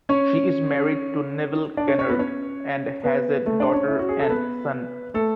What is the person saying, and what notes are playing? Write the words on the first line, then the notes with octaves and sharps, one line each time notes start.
She is married to Neville Kennard and has a daughter and son.
C#4 C#5
D4 D5
C#4 C#5
C#4 C#5
B3 B4
C#4 C#5
B3 B4
A3 A4
D4 D5
C#4 C#5
E4
F#4
G#4
A4
B3 B4
A3 A4